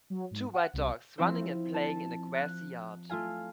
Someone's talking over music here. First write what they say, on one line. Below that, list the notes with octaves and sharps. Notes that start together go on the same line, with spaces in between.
Two white dogs running and playing in a grassy yard.
F#3
G#2
F#5
C2
F3 C4 E4 C5
A5
F#6
A3 F4 F5 G#5